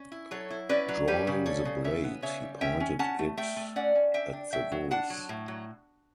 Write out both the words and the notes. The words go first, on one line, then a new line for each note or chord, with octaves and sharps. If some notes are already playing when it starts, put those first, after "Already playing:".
Drawing the blade, he pointed it at the wolves.
Already playing: C#4
E4
F#3 A4 C#5
E4
C#4 B4 D5
F#3
G3 G4 B4
C#3
G3 A4 C#5
C#3
C#3 C#5 E5
B3
C#3 C#5 E5
G3
C#4 E5 G5
C#4
C#4 F#5 A5
A3
A3 E5 G5
A3
C#4 D5 F#5
C#4
D4 E5 G5
D4
F#3 E5 G5
F#3
D4 F#5 A5
F#3
A2
F#3